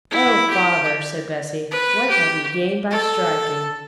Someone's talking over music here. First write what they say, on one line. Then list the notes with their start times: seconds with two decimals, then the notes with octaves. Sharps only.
'O, father!' said Bessy, 'what have ye gained by striking?
0.10 E4
0.50 G4
1.71 B4
2.10 G4
2.91 A4